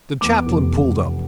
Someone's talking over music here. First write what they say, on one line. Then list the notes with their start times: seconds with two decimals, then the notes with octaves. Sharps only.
The chaplain pulled up.
0.21 E2 D6
0.47 F1